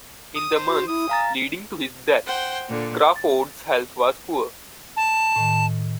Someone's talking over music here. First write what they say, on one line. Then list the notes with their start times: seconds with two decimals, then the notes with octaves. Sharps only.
In the months leading to his death, Crawford's health was poor.
0.36 D#6
0.55 C5
0.68 F#4
0.88 E4 D#6
1.09 F5 G#5 A#5 A6
2.27 C5 F#5 G5
2.67 A#2 D3
3.16 A6
4.96 A5
5.36 A2 D#3